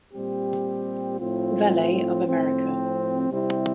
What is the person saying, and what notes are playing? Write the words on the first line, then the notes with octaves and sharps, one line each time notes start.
Valet of America.
A#2 G3 C4 G4
A2 F3 C4 F4
A2 F3 C4
C3 G3 C4 E4